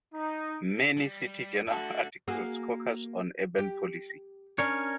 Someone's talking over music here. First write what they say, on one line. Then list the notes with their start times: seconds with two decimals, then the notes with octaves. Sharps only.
Many "City Journal" articles focus on urban policy.
0.14 D#4
0.97 G3
1.67 D3 A3 F#4 A4 A5
2.28 A#3 F#4 G#4
3.59 G4
4.59 C#4 D4 A#4 C#5